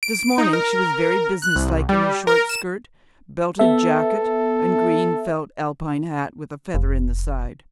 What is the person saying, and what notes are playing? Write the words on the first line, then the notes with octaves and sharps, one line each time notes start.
This morning she was very business-like in her short skirt, belted jacket, and green felt Alpine hat with a feather in the side.
D7
D#4
A#4
F#6
C2
G3
A#4
E7
B3 A4 E5
F1